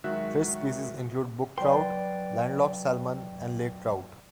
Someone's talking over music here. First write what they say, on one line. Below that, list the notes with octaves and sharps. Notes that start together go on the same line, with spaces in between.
Fish species include brook trout, landlocked salmon, and lake trout.
D#3 F#3 G#3 F#4 E5 F#6
F#3 B4 D5 G5 C6